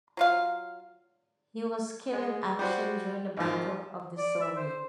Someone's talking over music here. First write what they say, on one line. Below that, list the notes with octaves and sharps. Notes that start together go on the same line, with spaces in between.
He was killed in action during the Battle of the Somme.
F#3 F4 F5
G#3
G3 F#4 C5
G#1 D#3 F3
D5
E5
C5